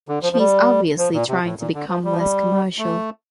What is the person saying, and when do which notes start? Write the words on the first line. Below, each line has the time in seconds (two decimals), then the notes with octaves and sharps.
She's obviously trying to become less commercial.
0.08 D3
0.23 F3
0.33 F3
0.39 G3
0.98 F3
1.14 A#2
1.28 C3
1.44 A2
1.59 A#2
1.74 D3
1.88 F3
2.04 G3
2.11 F3
2.19 G3
2.78 A3